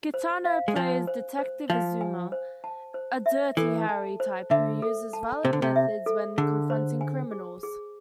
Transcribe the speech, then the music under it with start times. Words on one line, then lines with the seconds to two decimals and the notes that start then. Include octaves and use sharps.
Kitano plays detective Azuma, a "Dirty Harry"-type who uses violent methods when confronting criminals.
0.14 C5
0.45 F5
0.68 G#3
0.76 F3 G#5
1.07 C5
1.39 C5
1.70 F3 F5
2.01 G#5
2.32 C5
2.64 A5
2.94 C5
3.26 E5
3.57 E3 A4
3.89 A5
4.20 C5
4.51 D3 E5
4.82 A4
5.13 A5
5.44 C3 C5
5.53 D3
5.62 C3
5.76 E5
6.06 A4
6.38 D3 G#4
6.70 C5
7.01 G#5
7.31 G#4
7.63 G#4